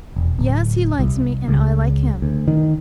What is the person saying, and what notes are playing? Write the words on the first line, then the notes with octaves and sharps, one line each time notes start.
Yes, he likes me and I like him.
E1
D1
C2
C#2
D2
D#3